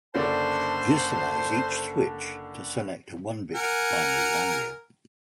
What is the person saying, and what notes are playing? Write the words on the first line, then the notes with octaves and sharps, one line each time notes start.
This allows each switch to select a one-bit binary value.
F#1 D3 D4 C5 A5
A#4 F#5 G#5